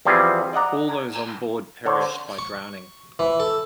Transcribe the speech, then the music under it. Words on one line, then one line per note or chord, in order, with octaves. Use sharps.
All those on board perished by drowning.
E2 F3 G3 C4 G#4
D5 D#5 F#5 A#5
D3 C5 C#5
C#6
E3
A4